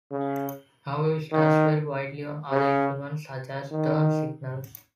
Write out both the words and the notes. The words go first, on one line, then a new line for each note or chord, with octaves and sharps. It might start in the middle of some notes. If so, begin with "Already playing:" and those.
However, states vary widely on other equipment such as turn signals.
C#3
D#3
C#3
D#3